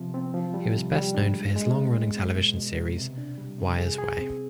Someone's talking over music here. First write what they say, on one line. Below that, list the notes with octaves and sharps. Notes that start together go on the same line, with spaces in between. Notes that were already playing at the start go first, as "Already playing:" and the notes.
He was best known for his long-running television series "Weir's Way".
Already playing: C3 F3 B3
C4
F3
G3
C3
G3
D4
G#3
G#3
B3
G#3
B3
B2
B2
B2
C3
D4
G3
C3
G#4
G#4
C4